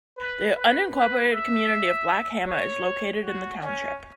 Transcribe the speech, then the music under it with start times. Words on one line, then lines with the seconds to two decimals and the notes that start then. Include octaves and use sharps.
The unincorporated community of Black Hammer is located in the township.
0.17 B4
0.56 B4
0.93 B4
1.31 E5
2.46 C#5
3.23 F#4
3.61 C#4